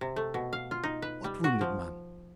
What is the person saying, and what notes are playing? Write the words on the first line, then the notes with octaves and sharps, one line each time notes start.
"What wounded man?"
C3
A3
B2
F5
F4
D#4
B4
G3
F#4
F3